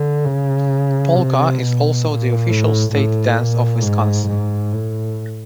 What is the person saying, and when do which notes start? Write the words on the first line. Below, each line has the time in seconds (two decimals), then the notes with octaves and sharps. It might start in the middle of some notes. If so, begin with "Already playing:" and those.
Polka is also the official State Dance of Wisconsin.
Already playing: D3
0.26 C#3
1.15 C3
1.59 B2
2.04 A#2
2.49 A2
2.93 A2
3.39 A#2
3.83 G#2
4.28 G#2
4.73 A2